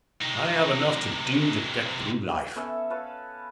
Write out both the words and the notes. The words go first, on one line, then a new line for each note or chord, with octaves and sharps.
I have enough to do to get through life.
C3 D#4
B3 C#4 A4 E5
B4 C#5 F5 A5